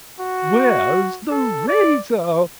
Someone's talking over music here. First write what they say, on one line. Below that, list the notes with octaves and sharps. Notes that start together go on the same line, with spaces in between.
"Where's the razor?"
F#4
A4
D5